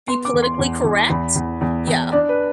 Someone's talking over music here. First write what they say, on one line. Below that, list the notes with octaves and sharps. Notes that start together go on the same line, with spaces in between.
Be politically correct? Yeah.
B3 C6
D6
E2
C6
E2
E2
E2 B5
E2
E2
E2
D4 D5
B4